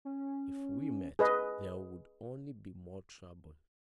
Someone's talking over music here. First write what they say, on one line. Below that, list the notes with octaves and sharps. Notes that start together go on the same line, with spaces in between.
If we met, there would only be more trouble.
C#4
G#4 B4 D#5